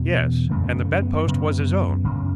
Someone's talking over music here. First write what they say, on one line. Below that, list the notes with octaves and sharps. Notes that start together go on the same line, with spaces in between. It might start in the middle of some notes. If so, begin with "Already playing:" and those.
Yes! and the bedpost was his own.
Already playing: E2 B2 C#4
F#2 C#3 A3
B3
A3
B3
F#2 C#3 B3
F#2 C#3